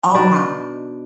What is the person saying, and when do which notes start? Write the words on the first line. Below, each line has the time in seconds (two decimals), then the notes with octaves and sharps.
Oh my
0.15 B2 D4 D#4 D5